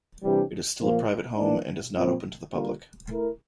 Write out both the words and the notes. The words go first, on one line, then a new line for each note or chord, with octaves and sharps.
It is still a private home and is not open to the public.
C3 E3 G3 D4 G4
A#2 F3 A#3
E3 A#3 D4
A#2 F3 C4
D3 G3 A#3 F4 A#4
A3 E4 A#4